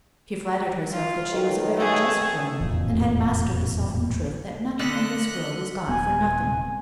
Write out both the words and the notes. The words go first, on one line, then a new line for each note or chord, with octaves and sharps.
She flattered herself that she was a very just woman, and had mastered the sovereign truth that nothing in this world is got for nothing.
F4
B1 D#3
A3 G#4
E1 A1 F2 A#2
D3 D#5 F6 F#6 B6 C#7
D#1 B3 G#5